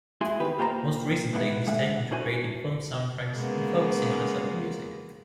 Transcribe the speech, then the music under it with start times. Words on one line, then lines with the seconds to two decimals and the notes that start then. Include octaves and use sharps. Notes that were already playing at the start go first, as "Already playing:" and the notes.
Most recently he's taken to creating film soundtracks, and focusing on his own music.
0.21 G#2 E4 F#4 G#4 C6
0.40 E2 D#3 G4 B4
0.58 A#2 F4 G4 C5 D5 A#5
1.33 G#2 B3 E4 A4 F#5
1.67 D3 G#3 E5 F#5
2.11 D4 E4 F#4 C5 G#5
3.33 C#3 G#3 A#3 B3